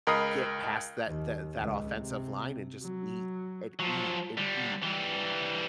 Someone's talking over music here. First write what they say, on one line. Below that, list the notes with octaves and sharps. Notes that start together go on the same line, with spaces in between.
get past that that that offensive line and just eat and eat and eat.
C#2 A#4 D#5 B5 D#6 C7
D#2
C#2
C3
F#3
F3 F#3
D3 G3
E3 G3